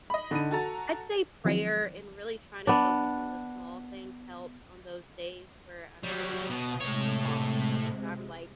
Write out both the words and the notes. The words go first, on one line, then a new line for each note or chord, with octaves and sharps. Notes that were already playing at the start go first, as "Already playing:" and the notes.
I'd say prayer and really trying to focus on the small things helps on those days where I'm just like, "Blah." And I'm like,
D#5 B5
D3 D#4 D#7
F#4 A4 A5 A#5 A6
D#3 F3 F#3 C4 E4
B3 D4
F#3 G3 F#4 C#5 G5
B2 D#6
A2 C3 G#3 C#5